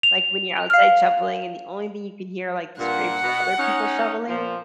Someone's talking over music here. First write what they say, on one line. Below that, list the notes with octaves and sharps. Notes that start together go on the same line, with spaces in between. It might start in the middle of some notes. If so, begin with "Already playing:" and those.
like, when you're outside shoveling, and the only thing you can hear are, like, the scrapes of other people shoveling.
F7
F5 F6
G2 A#2 F#5
B2
C#4 D#4
A#2 F3